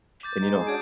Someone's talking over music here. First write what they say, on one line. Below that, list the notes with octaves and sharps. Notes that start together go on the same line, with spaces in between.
and, you know
D6 G6 A6
G#3 D#4
G#4
C#4 D4 F#4 G6 G#6 D7